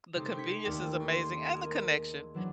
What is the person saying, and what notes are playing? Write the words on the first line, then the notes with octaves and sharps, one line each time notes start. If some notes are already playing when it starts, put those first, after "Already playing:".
The convenience is amazing, and the connection.
C3 G#3 D#4 G4 A4 C5
C6 G6 G#6 B6 C#7
D#2 A3 A#3 G4 D5 G5
C6
G#4 A#4
E3 F#3 D4